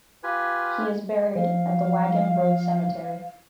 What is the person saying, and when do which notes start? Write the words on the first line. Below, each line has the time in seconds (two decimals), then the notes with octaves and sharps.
He is buried at the Waggon Road Cemetery.
0.23 F4 G4 B4 G#5
1.35 F3 F5